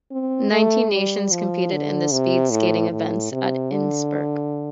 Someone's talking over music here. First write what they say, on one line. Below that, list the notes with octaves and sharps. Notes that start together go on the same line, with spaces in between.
Nineteen nations competed in the speed skating events at Innsbruck.
C4
A3
G3
F3
D3
C3
A2
A2
C3
D3